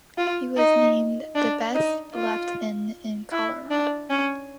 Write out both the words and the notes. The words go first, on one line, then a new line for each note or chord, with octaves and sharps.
He was named the Best Left End in Colorado.
F4
D#4
D4
D#4
F4
E4
D4
C#4